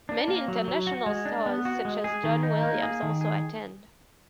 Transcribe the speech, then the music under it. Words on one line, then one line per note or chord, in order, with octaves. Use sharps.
Many international stars, such as John Williams, also attend.
D4
A#3
F#3
F#3
F#4
G#3
D4
B3
F#4
G#3
G#4
D#3
D#4
A#3
G#4
D#3
G#4